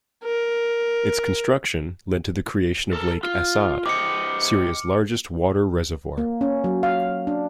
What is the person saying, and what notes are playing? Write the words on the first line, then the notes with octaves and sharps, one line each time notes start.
Its construction led to the creation of Lake Assad, Syria's largest water reservoir.
A#4
A4 A#4
F4 F6
G4 C5 D#5 D6 C#7
A#3
C#4
F#3
F5
D4